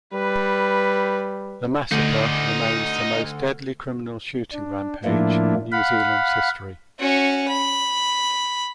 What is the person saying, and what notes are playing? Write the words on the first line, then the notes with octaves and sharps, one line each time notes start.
The massacre remains the most deadly criminal shooting rampage in New Zealand's history.
G3 B4
D2 D#4 D5
D4
A2 F3 A#3 D4 E4 F4
F5 F#5 B5
C#4 F#4
B5